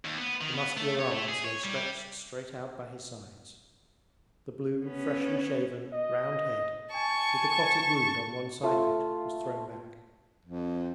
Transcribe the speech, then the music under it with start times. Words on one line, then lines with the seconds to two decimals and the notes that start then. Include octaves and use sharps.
The muscular arms lay stretched straight out by his sides; the blue, freshly shaven, round head with the clotted wound on one side of it was thrown back.
0.05 D#2
0.18 B3
0.41 D#3
0.53 B3
0.77 A3
0.99 C#5
1.11 A3
1.28 G#4
1.45 C#5
1.64 G3
4.85 B3 C#4
5.93 D#5
6.95 G#5 A5 C#6
8.63 A3 F4
10.45 F2